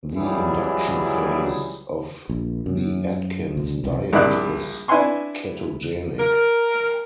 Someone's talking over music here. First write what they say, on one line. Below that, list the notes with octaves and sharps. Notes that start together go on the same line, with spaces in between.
The induction phase of the Atkins diet is ketogenic.
C#2 E3 F#3 G3 E4 G#4
A#1
F#2
D2
C2
A#1 G2 E4 D5 F#6
D4 E4 B4 G#5 C6 C#6
A#4